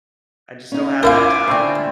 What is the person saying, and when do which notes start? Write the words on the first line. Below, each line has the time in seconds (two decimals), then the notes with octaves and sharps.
I just don't have that talent.
0.72 C#4 D#4
1.03 E4 F4 A#4 C5 E5 F5 G#5 D6
1.48 D3 A3 C4 C5